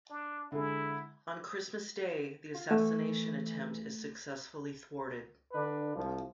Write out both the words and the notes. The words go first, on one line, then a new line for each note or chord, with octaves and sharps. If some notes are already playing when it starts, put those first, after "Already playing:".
On Christmas Day the assassination attempt is successfully thwarted.
D4
D3 G#3 E4
F4
E3 A3
D3 D4 B4
C2 F3